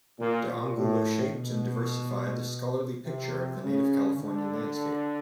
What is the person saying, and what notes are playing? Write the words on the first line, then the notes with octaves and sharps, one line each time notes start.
De Angulo shaped and diversified the scholarly picture of the native Californian landscape.
A#2
A#2
A2
B2
C3
C#3
D3